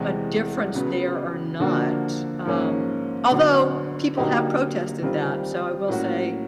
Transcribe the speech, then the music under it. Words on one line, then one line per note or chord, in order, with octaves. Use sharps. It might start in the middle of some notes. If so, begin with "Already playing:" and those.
a difference there, or not, um, although people have protested that. So, I will say,
Already playing: E2 C3 E3 G#3
C#3 F#3 B3
D3 F3 A#3 D4 F#4
G#2 F3 A#3 C#4
D3 F#3 B3
D3 F#3 A#3 D#4 G4
D#3 G3 C4 F4
A2 F#3 A#3 C#4 F#4